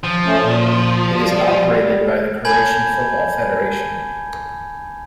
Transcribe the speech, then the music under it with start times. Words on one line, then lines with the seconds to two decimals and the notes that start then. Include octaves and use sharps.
It is operated by the Croatian Football Federation.
0.04 F3
0.26 A3 C#4
0.42 A#2
1.19 G3
2.45 G#5 A5 B5 G6 G#6 F#7